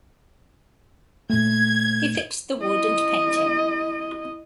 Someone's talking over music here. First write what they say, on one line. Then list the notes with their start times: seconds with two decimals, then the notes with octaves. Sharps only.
He fixed the wood and painting.
1.30 A#2 A3 G#6
2.58 E4 D#5